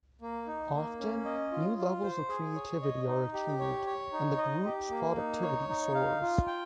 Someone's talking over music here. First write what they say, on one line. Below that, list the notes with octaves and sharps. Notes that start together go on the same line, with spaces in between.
Often, new levels of creativity are achieved, and the group's productivity soars.
A#3
D#4
A#3
C#4
D#5
F4
F4
C5
G#4
C#5
D#5
D#4
G4
C#5
C#5
D#4
D#5
G4
A#3
D#4
C#5
D#4
F5
F4
G5